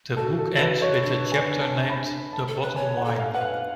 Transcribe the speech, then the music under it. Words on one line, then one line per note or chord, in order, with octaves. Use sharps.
The book ends with a chapter named "The bottom line".
F#4 A4
A4
A4
B4
C#5
D4
G#5
A5
B5
A5
A4
B4
C#5 G#5
F#5
A4
F5
B4 F#5
F5